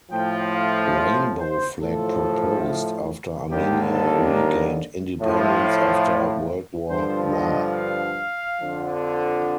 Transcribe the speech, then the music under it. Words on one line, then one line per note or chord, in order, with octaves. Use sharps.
Rainbow flag proposed after Armenia regained independence after World War One.
A2 F3 G5
F5
C5
C5
A2 F3 A4
D#2 D3 G3 G4
A4
A#4
A2 F3
G2 D3 F3 C5
D#5
F5
F2 D3 F3